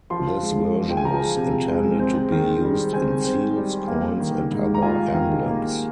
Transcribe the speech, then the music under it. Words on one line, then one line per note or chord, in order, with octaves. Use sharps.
This version was intended to be used in seals, coins and other emblems.
F3 C6
G#3
F3
G5
G#5
F3 A#5
C3
G#3
C4
D#3
G3
C4 G#5
C4
G3
A#3
D#3
G#2
A#5
F4 G#5
D#3
A#3